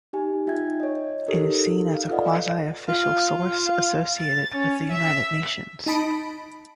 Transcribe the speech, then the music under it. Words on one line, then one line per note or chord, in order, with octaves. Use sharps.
It is seen as a quasi-official source associated with the United Nations.
D#4 G4 G#5
D#4 F4 E5 G5 G#6
C#5 D#5
D#4 G4 A4 A#4
F5
F4 A4 B4 D5 D#5 F#5
F4
A6
C#4
E5
D#4 D#5 A5 B5 D7